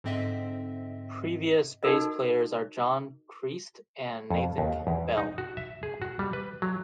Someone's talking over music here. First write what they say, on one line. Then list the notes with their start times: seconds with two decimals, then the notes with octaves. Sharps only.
Previous bass players are John Chriest and Nathan Bell.
0.04 G#2 D3 C4 D#5 E5
1.83 D#4 F#4 A4 A#4 D#5
4.31 F2
4.58 D#2
4.87 E2
5.17 D#4
5.38 F#4
5.57 E5
5.83 G#4
6.02 F#4
6.19 G3
6.33 B4
6.62 F#3